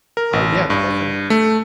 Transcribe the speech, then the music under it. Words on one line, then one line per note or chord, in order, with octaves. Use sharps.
Uh, yeah, the whole thing
A#4
A1
G2
A3